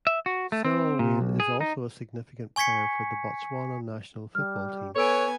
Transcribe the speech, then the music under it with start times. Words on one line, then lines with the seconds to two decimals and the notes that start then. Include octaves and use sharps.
Selolwane is also a significant player for the Botswana national football team.
0.07 E5
0.26 F#4
0.52 A3
0.64 C4
0.99 A#2
1.21 B1
1.40 G#4
1.61 D#4
2.56 G#5 C#6 G#6 B6 C#7
4.35 G3 F6
4.96 B3 A4 B4 C#5 G#5 E6 D7